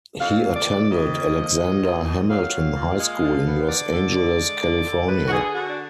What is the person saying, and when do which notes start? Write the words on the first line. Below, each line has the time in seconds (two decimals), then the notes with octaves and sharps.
He attended Alexander Hamilton High School in Los Angeles, California.
0.20 F2 F5
0.43 F2
0.55 D5
0.67 F2
0.89 F2 D#5
1.13 A#3
1.37 F3
1.60 F#3
1.83 A#2
2.06 A#2
2.30 F#3 F5
2.53 A#2
2.75 A#2
2.99 G#3
3.22 D3
3.45 B3
3.69 D3 D5
3.91 D3
4.16 D3
4.39 G#3
4.61 D3
4.86 D3
5.08 D3 B4
5.26 F#4
5.31 D3 G#4
5.54 D3 F#4
5.69 D4